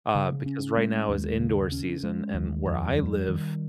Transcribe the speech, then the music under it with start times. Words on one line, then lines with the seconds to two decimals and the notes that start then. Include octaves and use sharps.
uh, because right now is indoor season and where I live,
0.15 C#3
0.46 C#4
0.77 G#3
1.09 D#2
1.40 C#3
1.72 C#4
2.03 G#3
2.34 D#2
2.66 F2
2.97 G3
3.28 D#3